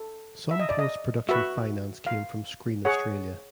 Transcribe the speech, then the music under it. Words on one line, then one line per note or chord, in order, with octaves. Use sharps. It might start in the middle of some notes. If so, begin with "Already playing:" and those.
Some post production finance came from Screen Australia.
Already playing: A4
E5
D#5
D5
D#5
F#4 B4 E5
F5
G#4 C#5 F#5